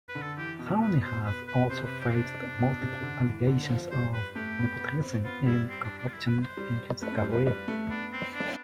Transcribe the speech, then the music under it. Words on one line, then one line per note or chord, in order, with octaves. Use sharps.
Sarney has also faced multiple allegations of nepotism and corruption in his career.
B4
D3
A4
E3 G4
B2
B4
C5
B4
B4
C3 C5
B4
G4
C4
D4
B2
C3
D3
E3
D3
F3
G3 C5
B4
A3 G4
B3
B3
C4
B3 F4
G3 E4
C4
D4
D4
F4
E4
B4
C5
G3
A3 B4
A3 C5
G3
F3 B4
G3 B4
A3
B3 D4
C4
D4